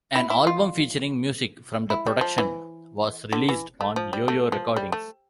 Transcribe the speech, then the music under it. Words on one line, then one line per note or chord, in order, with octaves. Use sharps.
An album featuring music from the production was released on Yoyo Recordings.
E4
E4
F4
E4
G3
F3
E3
D3
E3
A3
F3
G3
A3
F3
G3
A3